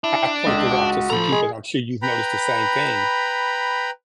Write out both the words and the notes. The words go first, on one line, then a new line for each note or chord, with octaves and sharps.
I pointed out to some people and I'm sure you've noticed the same thing.
D4 E4
C#2 D3
F#4
F3 A4 A#5 B5
G#3 G#4
B4 G5 A#5 B5